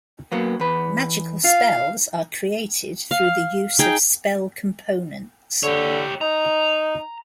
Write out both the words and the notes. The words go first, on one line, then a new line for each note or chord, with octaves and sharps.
Magical spells are created through the use of spell components.
F#3 A#3 B3
E2 B4
F4 F5
F5
D#4 G#4 G5
D3 G4 C#5
D#4 A#5